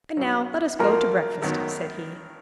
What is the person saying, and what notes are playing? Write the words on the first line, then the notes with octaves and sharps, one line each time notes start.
"And now let us go to breakfast," said he.
B1 B2 F#3
F#2 F3 A#3 F4 A#4
G#1 F#2 D#3 F#3 B3